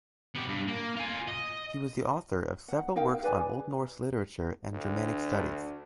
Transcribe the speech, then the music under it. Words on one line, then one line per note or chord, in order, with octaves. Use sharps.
He was the author of several works on Old Norse literature and Germanic studies.
B3 G4
G2
A#3
F4 G#5
D#5
F#5
D#4 A#4 F5 G5
F5
G#4 B4 D5 G#5
D2 D4